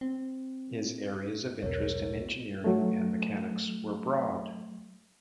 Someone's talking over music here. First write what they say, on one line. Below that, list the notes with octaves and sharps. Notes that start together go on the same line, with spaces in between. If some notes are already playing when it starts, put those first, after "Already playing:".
His areas of interest in engineering and mechanics were broad.
C4
B1 E2 A#4 C#5
F#3 A3